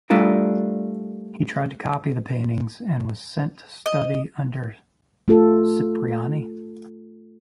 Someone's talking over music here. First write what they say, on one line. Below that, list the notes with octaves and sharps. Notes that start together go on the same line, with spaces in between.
He tried to copy the paintings, and was sent to study under Cipriani.
G3 A3 D4 F4 A#4
D#5
A3 F4 A4